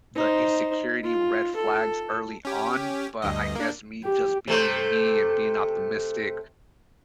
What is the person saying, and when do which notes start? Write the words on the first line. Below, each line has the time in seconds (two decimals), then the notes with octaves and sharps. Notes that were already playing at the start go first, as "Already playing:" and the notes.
the insecurity, red flags early on, but I guess me just being me and being optimistic,
0.15 D#4 C5
1.03 F4
1.55 A4
2.45 C#4 G4
3.22 D2 G2 D#5
3.55 A#3 D4
4.04 G4
4.48 C3 A3 C5